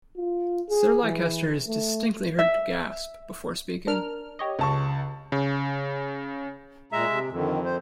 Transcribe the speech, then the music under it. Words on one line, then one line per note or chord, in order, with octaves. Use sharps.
Sir Leicester is distinctly heard to gasp before speaking.
F4
G#4
E3
A3
E5
D4 A#4 F6
G4 C#5 D#5
C#2 A5 C#6
C#3
A#2 G#3 E5 A#5
C3
F2 D3 D#3
C5